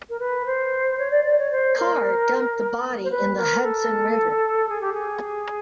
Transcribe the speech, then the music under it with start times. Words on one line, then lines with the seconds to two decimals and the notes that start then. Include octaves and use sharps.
Carr dumped the body in the Hudson River.
0.09 A#4
0.19 B4
0.46 C5
0.98 C#5
1.11 D5
1.25 D5
1.38 C#5
1.51 C5
1.77 A#4
3.04 C5
3.11 B4
3.36 A#4
3.63 A4
4.69 G#4
4.81 G4
4.93 G#4